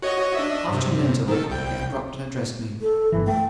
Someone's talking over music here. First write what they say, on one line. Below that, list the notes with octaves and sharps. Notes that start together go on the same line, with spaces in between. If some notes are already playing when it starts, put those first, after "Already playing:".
After an interval, he abruptly addressed me.
F#4 C#5 D#5
D4 D#5 E5
G2 C3
D#3 A4
C2 G5
A4
G1 E3
A3 G5